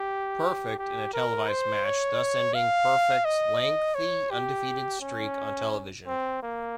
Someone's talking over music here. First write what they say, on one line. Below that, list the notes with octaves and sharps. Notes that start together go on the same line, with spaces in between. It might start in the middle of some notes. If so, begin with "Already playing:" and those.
Perfect, in a televised match, thus ending Perfect's lengthy undefeated streak on television.
Already playing: G4
G4
A#4
C5
C#5
F5
D#5
C#5
G4
C#4
C4
A#3